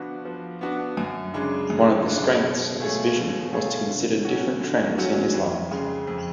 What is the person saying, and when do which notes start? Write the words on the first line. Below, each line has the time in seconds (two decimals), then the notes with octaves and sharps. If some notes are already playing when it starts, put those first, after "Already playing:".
One of the strengths of his vision was to consider different trends in Islam.
Already playing: F3 B3 D4 F#4
0.25 F3
0.61 B3 D4 F#4
0.97 F#2
1.34 C#3 G#3 D4
1.70 F#2
2.07 C#3 G#3 D4
2.43 B2
2.80 A3 F4 G#4 C#5
3.16 B2
3.52 A3 F4 G#4 C#5
3.89 D3
4.25 F#3 C#4 F#4
4.61 D3
4.98 F#3 C#4 F#4
5.34 F2
5.71 C#3 G#3
6.07 F2